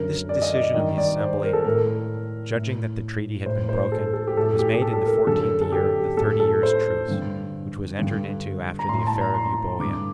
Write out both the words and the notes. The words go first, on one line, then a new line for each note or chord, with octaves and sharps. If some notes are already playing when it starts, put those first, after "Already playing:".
This decision of the assembly, judging that the treaty had been broken, was made in the fourteenth year of the thirty years' truce, which was entered into after the affair of Euboea.
Already playing: F#2 D3 A#4
D5
D#5
D5
G2 D#3
D5
C5
A#4
A4
A2 A#4
A2
A2 C5
C5
A4
A4
G4
A2 A4
G4
G4
A4
A4
A#4
F#2 D3 A4
A4
G4
A2 A4
A4
C5
G2 D3
G2 D3
A#5
A2 C6
A5
A#5
C6
G2 D3 D6